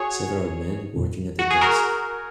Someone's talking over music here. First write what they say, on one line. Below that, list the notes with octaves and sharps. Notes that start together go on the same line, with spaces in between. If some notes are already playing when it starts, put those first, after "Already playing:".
Several men working at a desk.
Already playing: F#4 G#4 C#5
F#4
G#4
F#4 A#4